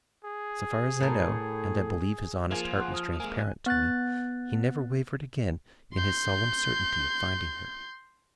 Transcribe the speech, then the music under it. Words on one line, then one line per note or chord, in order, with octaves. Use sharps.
So far as I know--and I believe his honest heart was transparent to me--he never wavered again, in his solemn certainty of finding her.
G#4
A2 A#4
F3 A#3 F4 G#4
F#5 C6 F#6
C5 D#6 F6
G#3 A#3 G#5
F#6
B3 F#6 A6
C6 G6